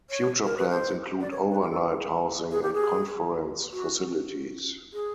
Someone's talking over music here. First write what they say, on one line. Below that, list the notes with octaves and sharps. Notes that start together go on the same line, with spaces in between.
Future plans include overnight housing and conference facilities.
C#5
A#4
B4
C5
D5
C#5
B4
A#4
A4
G#4
G#4
G4
G#4
F#4
G#4